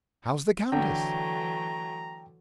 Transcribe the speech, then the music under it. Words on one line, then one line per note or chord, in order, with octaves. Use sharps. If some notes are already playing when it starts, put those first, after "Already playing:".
How's the countess?
D3 E3 F#3 A3 G5 A#5